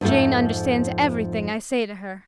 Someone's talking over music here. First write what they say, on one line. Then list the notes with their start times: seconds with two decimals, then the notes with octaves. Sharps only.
Jane understands everything I say to her.
0.01 F2 G#2 F3 A3 A4